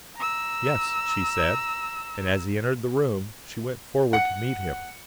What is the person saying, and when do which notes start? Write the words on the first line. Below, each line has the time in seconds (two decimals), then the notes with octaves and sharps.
"Yes," she said, and as he entered the room she went forward to meet him.
0.16 A#5 E6
4.13 F#5 C#7